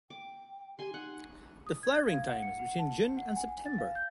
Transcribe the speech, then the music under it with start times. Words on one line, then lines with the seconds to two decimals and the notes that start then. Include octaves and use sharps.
The flowering time is between June and September.
0.10 G5 D6
0.79 G4 G#5 C6
0.94 D#4 F#5
1.67 D#6
1.83 G#6
2.08 F5
2.27 F#5
2.42 C#7
2.59 F#5
2.79 A5
3.17 F#5
3.36 G#5
3.66 A6
3.78 F5
3.95 G6